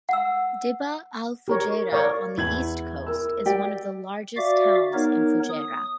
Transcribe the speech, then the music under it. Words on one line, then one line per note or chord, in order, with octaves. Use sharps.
Dibba Al-Fujairah on the east coast is one of the largest towns in Fujairah.
F#5 E6
G4 A#4 C#5
A#4 C#5 D5 F5
E2 E4 G#6 F#7
A#4 E6
G4 D5 G5
F#4 D5 E5 F5 D6
B3 D#4 A#4 C#5
D#6